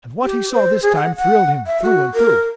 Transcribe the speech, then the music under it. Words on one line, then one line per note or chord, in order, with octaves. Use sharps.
And what he saw this time thrilled him through and through.
G4
C5
G#4
F#5
F#5
E5
F#4
A#4